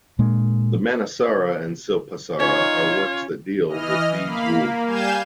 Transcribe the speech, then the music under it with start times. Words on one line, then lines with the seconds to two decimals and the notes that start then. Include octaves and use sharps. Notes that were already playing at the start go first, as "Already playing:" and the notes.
The Manasara and Silpasara are works that deal with these rules.
0.19 A#2 G#3 A#3 D4
2.40 C#4 D#4 F4 C#5
3.66 E3 D#5 F6
4.20 A#3 F5 B5
4.53 A#3
4.86 G3 F5 G#5 G6 E7